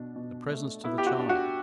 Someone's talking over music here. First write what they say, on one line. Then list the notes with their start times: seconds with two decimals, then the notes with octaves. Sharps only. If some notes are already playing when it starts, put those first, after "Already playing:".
The presents to the child!
Already playing: B2 D4
0.16 B2
0.50 A3
0.84 B3 E4
0.98 G4
1.06 F#4
1.19 D4
1.29 F#4